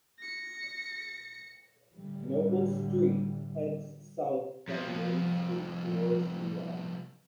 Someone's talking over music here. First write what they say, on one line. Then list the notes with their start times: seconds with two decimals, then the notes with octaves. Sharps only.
Noble Street heads south from Main Street toward Lyons.
0.18 A#6 C#7
1.94 A2 D3 E3 G3
4.68 C2 F2 F3